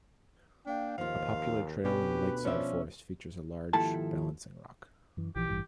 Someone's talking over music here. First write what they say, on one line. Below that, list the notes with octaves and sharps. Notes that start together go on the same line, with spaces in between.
A popular trail in the lakeside forest features a large balancing rock.
A#3 D4 F5 G5
D#2 F3 F4 F5
D2 B2 C#4 G4 B4
F3 C#4 D5 E5
D#2 G#2 F3 E4 A4 A5
F#2 E3
A#1 E3 F3 G4
A1 G2 E3